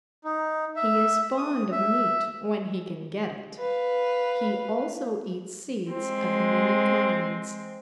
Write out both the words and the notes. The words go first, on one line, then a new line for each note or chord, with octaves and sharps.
He is fond of meat when he can get it. He also eats seeds of many kinds.
D#4
E5
D#6
E5
B4 F5
G#3 C4